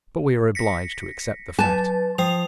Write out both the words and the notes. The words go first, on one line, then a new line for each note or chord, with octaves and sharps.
But we are obliged to accept the fact.
A#6 B6 C#7
F#3 B4 G#5 A5 A6
F3 G5 D#6 F7